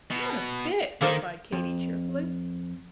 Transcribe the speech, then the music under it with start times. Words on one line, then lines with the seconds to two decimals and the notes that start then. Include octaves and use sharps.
"Not a bit!" replied Katy, cheerfully.
0.11 B2
1.01 D#3 A#3 A4 C5
1.52 F2